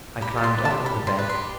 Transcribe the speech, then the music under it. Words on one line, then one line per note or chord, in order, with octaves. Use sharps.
I climbed up on the bed.
G4 B5
D5
C6
B4
A5
G4
G4 B5
D5
C6
B4
C6
G4